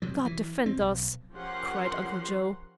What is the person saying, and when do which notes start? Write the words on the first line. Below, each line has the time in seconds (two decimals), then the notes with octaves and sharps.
"God defend us!" cried Uncle Joe.
0.02 C3 F#3
0.26 E3
0.66 C4
0.80 B1
1.33 F3 C#4 G4 A#4 F#5 C6